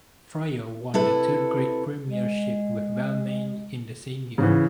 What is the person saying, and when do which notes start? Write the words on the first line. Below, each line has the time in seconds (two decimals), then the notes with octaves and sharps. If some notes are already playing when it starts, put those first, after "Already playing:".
Fryer won the third grade premiership with Balmain in the same year.
0.94 C3 E4 A4 B4
2.07 G#3
4.38 G#2 C#3 E3